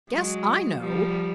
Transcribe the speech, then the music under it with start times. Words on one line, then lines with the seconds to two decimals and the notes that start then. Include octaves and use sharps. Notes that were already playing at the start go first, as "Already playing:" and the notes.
"Guess I know!"
0.11 F#3 G#3
0.79 F3 G3